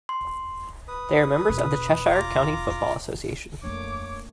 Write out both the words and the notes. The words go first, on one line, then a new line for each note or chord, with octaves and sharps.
They are members of the Cheshire County Football Association.
C6
B4 D#6
E1
F4 A#5 D6
F2 A3 A#3 D4 C#5 D6